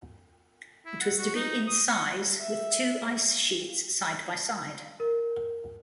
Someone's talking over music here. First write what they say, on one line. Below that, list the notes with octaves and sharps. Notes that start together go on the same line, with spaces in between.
It was to be in size, with two ice sheets side by side.
E4
F#5
F#4
D#4
D#6
F#5
E5
A#4